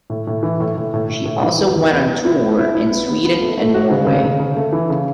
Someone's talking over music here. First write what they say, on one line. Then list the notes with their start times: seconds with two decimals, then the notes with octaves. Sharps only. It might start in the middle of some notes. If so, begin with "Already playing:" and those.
She also went on tour in Sweden and Norway.
0.10 A2
0.27 A2
0.43 E3
0.60 A2
0.77 A2
0.94 A2
1.09 A2
1.25 A2
1.43 E3
1.58 E2
1.75 E2
1.92 B3
2.08 B3
2.25 E4
2.42 B3
2.59 E4
2.75 E4
2.91 B3
3.08 B3
3.25 B3
3.41 A3
3.58 A3
3.74 F#4
3.91 C#3
4.07 C#3
4.24 C#3
4.40 C#3
4.57 A3
4.73 E3
4.90 C#3